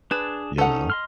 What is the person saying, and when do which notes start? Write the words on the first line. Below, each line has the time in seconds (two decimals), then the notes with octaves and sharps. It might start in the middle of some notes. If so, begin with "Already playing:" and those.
you know?
0.11 D4 G#4 B4 A5
0.58 C#4 D#4 A4 F#5
0.90 D#5 C6 F6